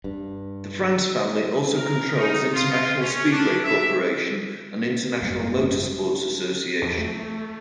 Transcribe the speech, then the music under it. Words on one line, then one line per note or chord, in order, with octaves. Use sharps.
The France family also controls International Speedway Corporation and International Motor Sports Association.
G2
A#4
D#4
F4
C#4
D4
E5
G#1 F#2 G3 G#3
F2
A3